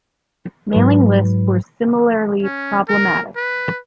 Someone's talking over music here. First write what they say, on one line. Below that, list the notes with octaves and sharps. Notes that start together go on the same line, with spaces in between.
Mailing lists were similarly problematic.
G#2 F#3 B4
C#4
A#4
B4